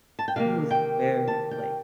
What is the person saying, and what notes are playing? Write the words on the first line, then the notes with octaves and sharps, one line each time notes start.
he was very, like,
A5
G5
C3 D#3 A#3 F5
G5
A5
G5